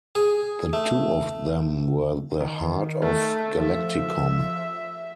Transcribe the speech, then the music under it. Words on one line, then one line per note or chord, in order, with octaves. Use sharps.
The two of them were the heart of Galacticomm.
G#4
A3
D#3
A3
F3 E5